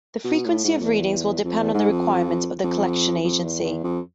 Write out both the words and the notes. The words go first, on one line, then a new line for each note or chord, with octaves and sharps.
The frequency of readings will depend on the requirements of the collection agency.
B2
A2
G#2
F2
E2
F2
E2
G#2
F2
F2
F2
E2
E2
F2